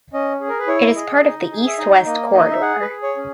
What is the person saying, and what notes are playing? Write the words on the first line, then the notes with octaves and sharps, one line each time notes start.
It is part of the "East-West Corridor".
C#4 D#5
G#4
A#4
B4
E4 C#5
G#4 D#5
D#4
G#4
E5
D#4 D#5
A#3 D#5
D#4 D#5
E5
G#4 F#5
B4
G#4
C#5
C#4